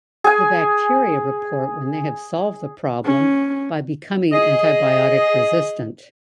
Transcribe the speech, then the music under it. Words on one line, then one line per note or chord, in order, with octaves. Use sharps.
The bacteria report when they have solved the problem by becoming antibiotic resistant.
G#4 G#5
C#4
G#4 D#5